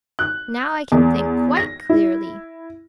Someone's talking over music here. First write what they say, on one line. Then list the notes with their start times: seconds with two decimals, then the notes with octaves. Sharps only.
"Now I can think quite clearly."
0.19 F#6
0.92 E2
1.57 A#6
1.89 E4